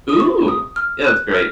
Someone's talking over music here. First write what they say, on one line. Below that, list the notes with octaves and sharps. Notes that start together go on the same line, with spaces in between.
Ooh. Yeah, that's great.
D#6
C#6
D#6
F6
F#6
F6